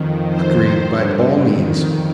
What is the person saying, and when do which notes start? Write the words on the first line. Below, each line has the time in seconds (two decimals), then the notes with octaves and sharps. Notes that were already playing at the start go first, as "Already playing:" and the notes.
"Agreed, by all means."
Already playing: F2 D#3
0.30 F2 D#3 C5
0.85 G2 D3
1.41 F2 D#3